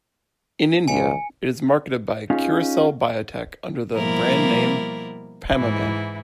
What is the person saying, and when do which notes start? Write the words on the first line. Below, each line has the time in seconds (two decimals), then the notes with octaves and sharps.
In India, it is marketed by Curacell Biotech under the brand name Pamimed.
0.88 C#2 G#5 C#7
2.30 C#4 D#4 F4 G#4
3.93 B2 F3 G3 A#3 E4 A#4
5.55 G#2 E3 E4